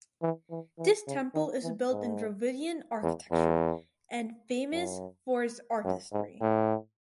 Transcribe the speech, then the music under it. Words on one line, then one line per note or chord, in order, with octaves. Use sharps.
This temple is built in Dravidian architecture and famous for its artistry.
E3
E3
E3
C#3
D#3
E3
G#2
E2
E2
F#2
F#2
G#2
A2